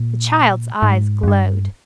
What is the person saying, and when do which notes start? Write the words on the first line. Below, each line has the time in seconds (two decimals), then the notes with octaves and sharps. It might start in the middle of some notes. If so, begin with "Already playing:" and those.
The child's eyes glowed.
Already playing: A#2
0.82 G#2
1.23 F2
1.28 G2